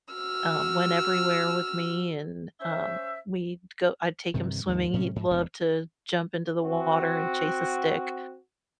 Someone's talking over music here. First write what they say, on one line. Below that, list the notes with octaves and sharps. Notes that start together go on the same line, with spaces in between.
um, went everywhere with me, and, um, we'd go I'd take him swimming. He'd love to jump into the water and chase a stick.
F#4 E6 F6
C#4 C5 E5
G2 C3 D#3
D#2 G#2
A2 C3 C#4
G#2
E1
C4 F#4